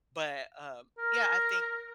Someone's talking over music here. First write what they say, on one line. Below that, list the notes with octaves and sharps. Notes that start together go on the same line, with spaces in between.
But, um, yeah, I think
A#4